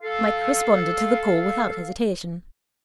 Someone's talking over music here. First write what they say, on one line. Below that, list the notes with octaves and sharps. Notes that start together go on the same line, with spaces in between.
Mike responded to the call without hesitation.
A4 F5